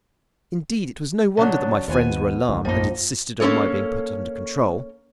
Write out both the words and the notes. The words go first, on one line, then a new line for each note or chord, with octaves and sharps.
Indeed, it was no wonder that my friends were alarmed, and insisted on my being put under control.
C#3 F#3 D4
D#2 F3 B3 G#5
D2 G#2
A#1 F#2 F3 A#3 D#4
A#3 C#4 G#4 A4 C#5